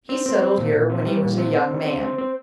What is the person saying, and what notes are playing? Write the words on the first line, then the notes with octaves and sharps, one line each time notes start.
He settled here when he was a young man.
C4
C4
C4
A#2
A#2
C4
G3
A#2
C4
C4
D3
C4
C4
C4